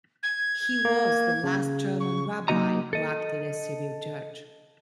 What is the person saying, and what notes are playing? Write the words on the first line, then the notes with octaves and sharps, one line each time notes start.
He was the last German rabbi who acted as civil judge.
G#6
A#3
C#3
C#6
F#3 A#3 D#4 F#4 D#5 A#5
A4 D#5